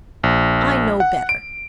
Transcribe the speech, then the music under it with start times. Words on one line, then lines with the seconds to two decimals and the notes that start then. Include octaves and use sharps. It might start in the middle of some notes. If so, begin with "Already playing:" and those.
I know better.
0.23 A#1
1.00 F#5
1.29 D7